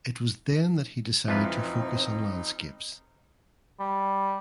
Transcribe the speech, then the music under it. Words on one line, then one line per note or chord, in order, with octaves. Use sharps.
It was then that he decided to focus on landscapes.
F2 E3 C4 D#4 F4 B4
G3